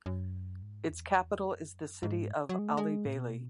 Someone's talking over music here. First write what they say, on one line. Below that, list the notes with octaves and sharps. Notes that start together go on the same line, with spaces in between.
Its capital is the city of Alibeili.
F#2
G#2
E2
F#2
G#2
F#3
G#3
A3
G#3
A2
B2